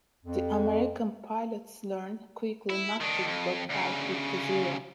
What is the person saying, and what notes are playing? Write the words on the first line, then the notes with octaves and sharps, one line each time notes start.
The American pilots learned quickly not to dogfight with the Zero.
F2
E4
D#3 D4
F2
D2 C#3